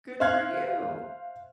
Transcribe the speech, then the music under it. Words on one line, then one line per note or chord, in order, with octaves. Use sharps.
Good for you.
C5 E5 F5 F6 F#6 G#6